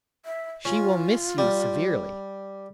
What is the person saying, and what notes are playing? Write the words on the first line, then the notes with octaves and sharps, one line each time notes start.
"She will miss you severely."
E5
C#4 F4
G3